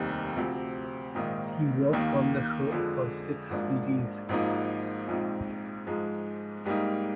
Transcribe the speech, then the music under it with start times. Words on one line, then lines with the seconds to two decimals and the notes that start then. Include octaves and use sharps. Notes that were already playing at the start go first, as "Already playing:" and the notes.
He worked on the show for six series.
Already playing: F1 D#2 D#3 G3 C4
0.36 D2 C3 F3 C4
1.15 A#1 G#2 D#3 A#3 D#4
1.93 D#2 D#3 A#3
2.72 F2 D3 F3 G#3
3.50 G#1 G#2 F3 A#3 D4
4.29 G#1 G#2 F3 A#3 D#4
5.08 A#1 G#2 F3 C4 D#4
5.87 G#2 F3 G#3 D#4
6.65 G#2 G3 A#3 D#4